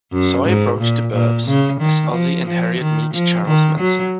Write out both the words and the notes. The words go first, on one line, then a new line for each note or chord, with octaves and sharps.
So I approached "The 'Burbs" as "Ozzie and Harriet Meet Charles Manson".
F#2
G#2
A#2
A#2
C#3
D#3
F3
F3
D#3
F3
D#3
F#3